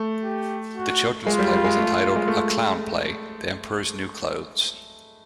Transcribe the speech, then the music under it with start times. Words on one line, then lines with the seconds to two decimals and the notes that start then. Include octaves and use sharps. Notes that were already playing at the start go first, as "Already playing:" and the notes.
The children's play was entitled "A Clown Play: The Emperor's New Clothes".
Already playing: A3
0.24 G4
0.75 F#4
1.26 G#3 F4
1.39 G3
1.52 G3
1.64 G#3
1.77 A3
2.16 G#3
2.28 A3